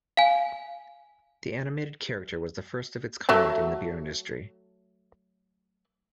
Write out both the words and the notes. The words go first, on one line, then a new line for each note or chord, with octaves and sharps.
The animated character was the first of its kind in the beer industry.
F5 G#5
F#3 A3 A4